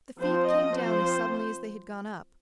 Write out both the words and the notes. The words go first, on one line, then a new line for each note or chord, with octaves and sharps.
The feet came down as suddenly as they had gone up.
F3 C4 C5
D#5
F3 C4 C5